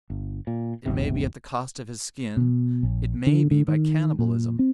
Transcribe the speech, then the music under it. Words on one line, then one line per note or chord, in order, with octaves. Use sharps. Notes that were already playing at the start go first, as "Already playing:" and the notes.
It may be at the cost of his skin, it may be by cannibalism!
G1
A#2
D1 G1 D#2 C3
B2
A#1
D3
D3
D#3
A#2
C4